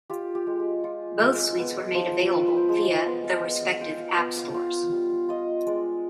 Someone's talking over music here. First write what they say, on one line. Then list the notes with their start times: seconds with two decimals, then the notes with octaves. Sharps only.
Both suites were made available via the respective App Stores.
0.10 F4 G4
0.35 G4
0.47 G#3
0.60 G#4
0.84 F4
1.21 G#3
1.58 B3 B4
1.95 F3 C5
2.33 F4 B4
2.48 B4
2.57 C5
2.69 G#3
2.81 D5
3.06 B3 D#5
3.24 F5
3.44 B3 D#5
3.62 F5
3.81 F4 G5
4.00 F5
4.17 B3 G5
4.37 F5
4.54 F4
4.92 G3
5.29 F4 D#5
5.67 G#3 D5